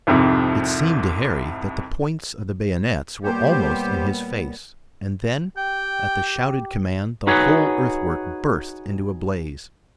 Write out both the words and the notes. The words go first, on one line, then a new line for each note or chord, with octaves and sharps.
It seemed to Harry that the points of the bayonets were almost in his face, and then, at the shouted command, the whole earthwork burst into a blaze.
C2 F2 G#2 C3
A#2 G3 B3 G4 C5 C#5
G4 G5
D#4 F#4 G#4 B4 C#5